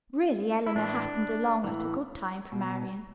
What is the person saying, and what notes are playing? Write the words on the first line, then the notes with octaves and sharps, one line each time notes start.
"Really, Eleanor happened along at a good time for Marian."
E4
A2 E3 D4
A2 E3
B2